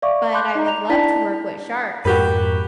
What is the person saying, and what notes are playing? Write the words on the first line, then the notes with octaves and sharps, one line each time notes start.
But I would love to work with sharks
D5 E5 F5 C#6 D6
B5 C6 D6 F#6 G6
D#4 D#5 A#5
A#5 F7
D4 E4 D5 A5 B5 B6
F2 G#2 F#4 G4 A#4 B4